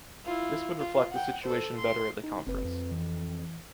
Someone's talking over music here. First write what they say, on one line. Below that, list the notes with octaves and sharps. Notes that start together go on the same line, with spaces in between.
This would reflect the situation better at the Conference.
E4 F4
F4
F#5 G5
A4 C5
C6
D#4
F#1 C4 B4
F2
E3